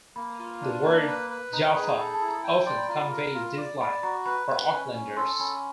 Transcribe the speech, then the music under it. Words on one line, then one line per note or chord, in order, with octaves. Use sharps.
The word Jafa often conveys dislike for Aucklanders.
A#3 B5
F4
D4
A#3
B4
B4
D#4 A#5
B5
G#4
A#5
A4 B5
A5
E4
A#5
G5 B5
D5 C6
B5
F4 A#5
B5
A#4
F4
D5
D5 B5
F#4 A#5
B4 B5
B4
C#4
C#4
A4 C6
C#4 B5